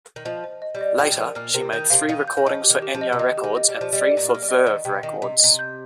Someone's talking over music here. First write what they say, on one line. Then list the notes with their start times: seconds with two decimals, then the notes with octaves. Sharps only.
Later, she made three recordings for Enja Records and three for Verve Records.
0.16 D#3
0.25 F3 D#5
0.44 C5
0.62 D#5
0.75 G3
0.81 D#5
0.99 F3 G5
1.12 G3
1.17 F3 A#4
1.35 A#2 A#3 F6
1.54 C3 C4 A#4
1.73 D#3 D#4 G6
1.90 C3 C4 F5
2.09 D#3 D#4 F5
2.28 G6
2.37 D#3
2.45 F3 D#5
2.64 G4
2.70 D#3
2.82 G4
2.94 F3
3.01 D#5
3.13 C3
3.19 D#3 D#5
3.38 G4
3.44 D#3
3.56 D#5
3.69 G3
3.74 G4
3.81 F3
3.93 G3 D#5
4.11 G4
4.17 A#2 A#3
4.29 A#3 F6
4.42 G3
4.49 D#5
4.66 D#3 D#5
4.85 C3 G5
5.03 D#3 D#5
5.22 C3 D#5
5.39 C3 D#5
5.59 G6